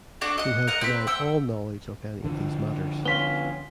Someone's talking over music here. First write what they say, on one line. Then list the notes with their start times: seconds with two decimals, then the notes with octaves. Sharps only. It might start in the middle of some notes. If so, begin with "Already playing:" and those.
He has denied all knowledge of any of these matters.
0.21 D4 F#4 A4
0.38 D#5 F#5
0.67 A#4 D#5 F#5
0.81 C4 B4
1.07 F#5 G5 E6
2.24 D3 F3
3.06 B3 C#4 F4 B6 G7